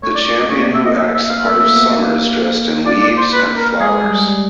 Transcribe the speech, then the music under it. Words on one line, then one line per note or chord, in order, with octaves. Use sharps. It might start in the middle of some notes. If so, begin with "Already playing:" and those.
The champion who acts the part of Summer is dressed in leaves and flowers.
A3 C#5
D5
D5
D#5
A#3 C#5
D5
E5
D#5
E5
E5
F5
A3 E5
A#3
B3
A#3
D5
D5
C5
B4
A#4
G#3 G#4
G3
G3